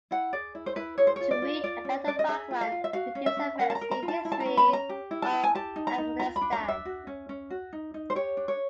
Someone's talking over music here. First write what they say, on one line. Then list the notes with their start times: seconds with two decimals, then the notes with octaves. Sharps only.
To read about the background to these events, see History of Afghanistan.
0.11 E4 F#5
0.33 G#4 D5
0.55 E4
0.66 C5
0.76 E4 B4
0.98 G#4 C#5
1.07 C5
1.16 F4 C#5
1.31 D5
1.42 F4
1.64 F4 D5
1.85 C#4
2.07 C#4 D5
2.19 D#5
2.28 G#4 E5
2.51 F4
2.61 F5
2.72 F4
2.84 E5
2.93 F#4 F5
3.15 C#4
3.26 E5
3.37 C#4
3.59 A#4 F#5
3.70 A5
3.75 A#5
3.81 A#4
3.91 A#5
4.03 F4
4.08 A5
4.25 E4
4.32 A5
4.40 A#5
4.46 C#4
4.57 B5
4.67 C#4
4.73 A#5
4.89 G4
5.11 E4
5.22 A5
5.33 E4
5.43 G#5
5.55 G4 A5
5.76 D#4
5.87 A#5
5.98 D#4
6.20 F4 A#5
6.36 B5
6.41 D4
6.53 A#5
6.63 D4
6.68 E5
6.85 F#4
7.07 C#4
7.29 C#4
7.50 F#4
7.73 D#4
7.94 D#4
8.10 C5
8.15 G4 C#5
8.37 D4
8.48 C#5